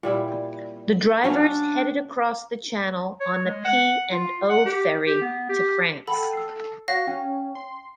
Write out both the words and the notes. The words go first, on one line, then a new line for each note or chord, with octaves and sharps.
The drivers headed across the Channel on the P and O Ferry to France.
A#2 G3 E4
F#3 C#4 D4 F5
C#5
G#3
F#5
F4
F#5
G4
G4
B3
G4
A4 F#5 G5 B5
E6 C7
F#4 C#5 F5 F#5 A#6
C#4 G5
C6